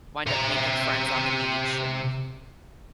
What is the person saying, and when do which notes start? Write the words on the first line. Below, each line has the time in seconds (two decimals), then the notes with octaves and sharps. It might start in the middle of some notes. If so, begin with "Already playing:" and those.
wind up making friends on the beach, and
0.27 C3 A#5